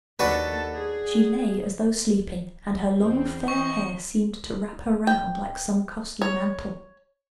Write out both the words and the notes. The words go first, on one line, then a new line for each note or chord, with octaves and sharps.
She lay as though sleeping, and her long, fair hair seemed to wrap her round like some costly mantle.
D#2 D4 F#4 A4 B4
G#4
E2 C4
E3 C4 D#5 C#6
G5
C#5